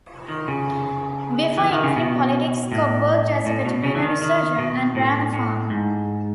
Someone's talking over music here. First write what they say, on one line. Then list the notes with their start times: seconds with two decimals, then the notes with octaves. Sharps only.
Before entering politics Cobb worked as a veterinary surgeon and ran a farm.
0.28 D#3
0.48 C#3
1.58 E3
1.71 D#3
1.84 C#3
1.96 B2
2.72 A2
3.46 A2
3.65 B2
3.84 C#3
3.95 E3
4.02 D#3
4.22 D#3
4.58 B2
4.95 A2
5.33 A2
5.70 G#2